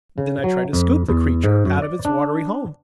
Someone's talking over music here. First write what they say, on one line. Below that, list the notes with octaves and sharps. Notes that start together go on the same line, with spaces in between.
Then I tried to scoop the creature out of its watery home.
C#3
F#3
F2
E2
G#2
F#2
D5
D4